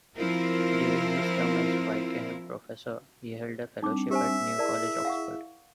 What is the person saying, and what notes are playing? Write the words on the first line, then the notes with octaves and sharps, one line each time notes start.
During his term as Wykeham Professor, he held a Fellowship at New College, Oxford.
F3 C4 E4 F4 A#4
G3 C4 D4 D#4 D6
G4 C5 E5 G#5
E4 G#4 A#4 D5 A5
F5 F#5 C#6